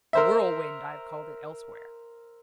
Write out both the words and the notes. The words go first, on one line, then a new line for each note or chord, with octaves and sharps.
A whirlwind I have called it elsewhere.
A#4 C5 E5